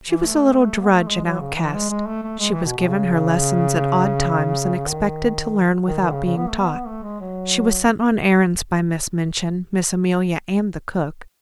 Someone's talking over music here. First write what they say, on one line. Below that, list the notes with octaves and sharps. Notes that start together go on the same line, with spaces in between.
She was a little drudge and outcast; she was given her lessons at odd times and expected to learn without being taught; she was sent on errands by Miss Minchin, Miss Amelia and the cook.
E3
A3
B3
A3
G#3
F#3
C#3
E3
G#3
G#3
A3
A3
G#3
E3
B2
B2
C#3
D#3
D#3
D#3
C#3
C#3
B3
A3
B3
A3
G#3
F#3